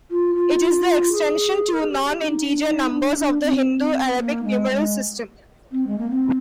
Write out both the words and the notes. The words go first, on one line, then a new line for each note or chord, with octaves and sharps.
It is the extension to non-integer numbers of the Hindu-Arabic numeral system.
F4
F4
G#4
A#4
G#4
G4
G4
D4
D#4
D4
D#4
D4
D4
C4
C4
A#3
G#3
G#3
C4
G#3
A#3
C4